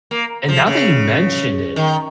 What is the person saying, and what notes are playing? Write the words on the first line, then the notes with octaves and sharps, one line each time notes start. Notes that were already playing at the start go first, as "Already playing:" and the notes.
And now that you mentioned it,
A#3
F3
C#3
D#3